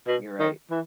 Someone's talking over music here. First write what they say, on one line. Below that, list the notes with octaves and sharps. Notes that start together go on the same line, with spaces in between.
You're right.
B2
D#3
E3